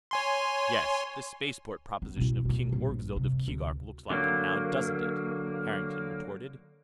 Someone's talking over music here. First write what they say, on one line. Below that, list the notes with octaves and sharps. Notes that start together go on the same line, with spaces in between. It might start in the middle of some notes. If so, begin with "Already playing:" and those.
"Yes, this spaceport proposition of King Orgzild of Keegark looks like it, now doesn't it?" Harrington retorted.
C#5 G#5 C6
B3
B2 E4
B2 A#3
A#1 G2
C3
D2
D3 F#3 A#3